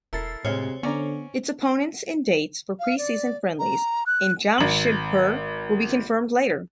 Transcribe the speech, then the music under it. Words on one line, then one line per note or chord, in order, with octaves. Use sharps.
Its opponents and dates for preseason friendlies in Jamshedpur will be confirmed later.
E1 E4 A4 A#4 E6 A6 C7
D2 A2 C3 G#3 C5 C#5 F6
D3 B3 C#4 D5 A#5
F5
D5
A#5
F#6
G#1 F#7